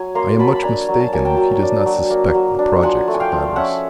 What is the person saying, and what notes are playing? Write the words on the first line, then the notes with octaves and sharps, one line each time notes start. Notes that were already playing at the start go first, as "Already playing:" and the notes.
"I am much mistaken if he does not suspect the projects of Hatteras."
Already playing: F#3 G#5
A#3 A#5 C6
F#3 A5 B5
B5
D4 G#5 A#5
F#3
A5
A#3 G#5
G5 A5
F#3
D4
F#3
A#3
F#3
D4
F3 F#5 G#5
A3
G#5
F5 G5
F3
C#4 E5 F#5